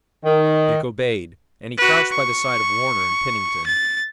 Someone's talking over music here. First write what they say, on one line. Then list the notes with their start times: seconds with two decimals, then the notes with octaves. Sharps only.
Dick obeyed, and he crouched by the side of Warner and Pennington.
0.25 D#3
1.78 F#4 B4
2.11 C#6
3.67 A6